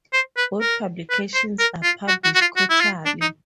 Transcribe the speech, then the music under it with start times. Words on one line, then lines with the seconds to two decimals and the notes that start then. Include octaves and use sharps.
Both publications are published quarterly.
0.13 C5
0.37 B4
0.61 A#4
1.10 B4
1.34 C5
1.59 A#4
1.83 F4
2.08 F#4
2.24 F#4
2.35 F#4
2.41 F4
2.57 F#4
2.70 E4
2.81 F4
3.06 D4
3.21 D#4